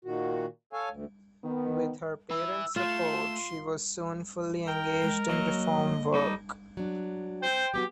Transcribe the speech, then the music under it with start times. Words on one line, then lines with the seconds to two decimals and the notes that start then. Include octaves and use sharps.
With her parents' support, she was soon fully engaged in reform work.
0.05 A#2 D#3 F#4
0.73 A4 C#5 F5 G#5
0.90 D2
1.44 D#3 B3
2.31 E4 B4 E6
2.76 A3 F4 C6 E7
4.68 A#4 G5
5.01 G#3
5.29 F#3 A#3 D#5
6.14 G3 D#4 A4
6.77 F#3 D4
7.42 C5 G5
7.74 F#3 B3 F#4 G4